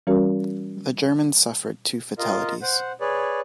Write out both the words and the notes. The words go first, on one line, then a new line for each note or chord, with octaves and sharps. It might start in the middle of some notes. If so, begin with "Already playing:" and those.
The Germans suffered two fatalities.
E3 G3 C#4 F#4 A#4
F4 A#4 D#5 F5
C5 F#5
G#4 B4 C#5 D5